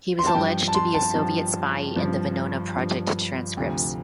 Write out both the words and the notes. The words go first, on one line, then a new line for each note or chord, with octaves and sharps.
He was alleged to be a Soviet spy in the Venona Project transcripts.
C6
A5
G2 F3 G5
A5
C6
A5
G2 F3 A5
G2 F3
G2 F3
D2 C3 F3